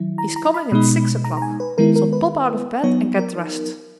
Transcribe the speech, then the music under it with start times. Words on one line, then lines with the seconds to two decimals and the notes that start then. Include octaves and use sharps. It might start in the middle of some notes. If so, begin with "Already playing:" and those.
He is coming at six o'clock; so pop out of bed and get dressed.
Already playing: D#3 F#3 E4
0.18 A#5
0.36 A#5
0.54 B5
0.72 B2 G#3 D#4
1.24 A#5
1.37 A#5
1.42 G#5
1.60 B4
1.78 D#3 G#3 B3 E4 A#4
1.96 A#4
2.13 B4
2.84 F#3 B3 D#4 C#5
3.19 A#4